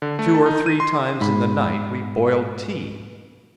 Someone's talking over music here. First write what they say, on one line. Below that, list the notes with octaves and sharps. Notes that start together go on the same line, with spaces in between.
Two or three times in the night we boiled tea.
D3
A3
A5
D#4
D#7
C6
G#2 B5